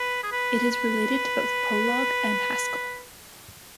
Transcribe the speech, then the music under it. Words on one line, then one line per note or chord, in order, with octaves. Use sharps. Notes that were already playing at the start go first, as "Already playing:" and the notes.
It is related to both Prolog and Haskell.
Already playing: B4
G#4
B4
B4